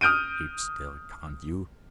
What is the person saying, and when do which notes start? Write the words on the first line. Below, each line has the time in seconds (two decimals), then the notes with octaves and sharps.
"Keep still, can't you?"
0.01 D#6 F6 G6 D7 D#7